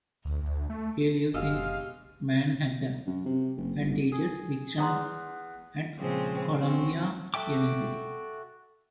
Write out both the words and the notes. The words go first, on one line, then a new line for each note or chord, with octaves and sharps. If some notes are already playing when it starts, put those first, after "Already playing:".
He lives in Manhattan and teaches fiction at Columbia University.
D2
D2
A3
F#1 B2 G#3 G4 D#5 F5 E6
F#2
C3
F#1
G1
G#4
E2 B3 F#5 A#5 C6
A#2 C#3 F3 G#3 C4 C#4
C4 C#4 F#4
F#4 A4 E5 G5 D6